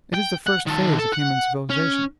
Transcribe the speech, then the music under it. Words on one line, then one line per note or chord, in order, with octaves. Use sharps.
It is the first phase of human civilization.
G5
F#5
D#3 A4
A4
F#5
C#4